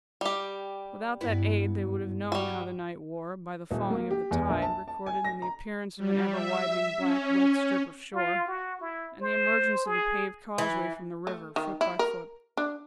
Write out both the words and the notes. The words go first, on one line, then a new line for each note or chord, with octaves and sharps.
Without that aid they would have known how the night wore, by the falling of the tide, recorded in the appearance of an ever-widening black wet strip of shore, and the emergence of the paved causeway from the river, foot by foot.
G3 G4
G2 B3 E4
G3 F#4
D#1
A#3
G4
E2
A#1
A5
A5
G#5
A#6
A#5
G3
E5
C#4
F4
F#4
E4
C5
G#4
E3
A3
D#3
E4
A#4
D4